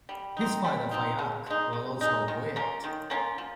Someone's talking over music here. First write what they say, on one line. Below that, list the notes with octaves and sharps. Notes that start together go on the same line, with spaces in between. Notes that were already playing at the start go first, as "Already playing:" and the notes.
His father, Fayaq, was also a poet.
G3
C4 D#4
G3
C4 D#4
C#3
G#3 D#4
C#3
G#3 D#4
D#3
A#3 C#4 F4
D#3
A#3 C#4 F4
F3